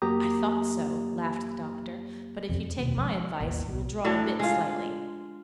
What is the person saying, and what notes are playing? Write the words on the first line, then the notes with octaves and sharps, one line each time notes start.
"I thought so," laughed the doctor; "but if you take my advice, you will draw the bit slightly."
F#2 F#3 A#3 G4 A#5 D#6
F2
D#2 B2
F3 G#3
A1 D#2
B1
A2 F#3 D4
G#3 F4